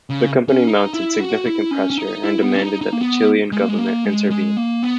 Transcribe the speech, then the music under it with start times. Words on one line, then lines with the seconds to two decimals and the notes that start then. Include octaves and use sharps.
The company mounted significant pressure and demanded that the Chilean government intervene.
0.10 C#3
0.49 C#4
0.67 D#4
0.93 E4
1.20 F#4
1.46 E4
1.71 C#4
1.90 C#4
1.98 D#4
2.23 E4
2.43 B3
2.56 C#4
2.62 D#4
2.81 D#4
2.93 A#3
3.01 B3
3.52 G#3
3.60 A#3
3.68 G#3
3.78 A#3
4.05 G#3
4.30 G#3
4.57 A#3
4.83 B3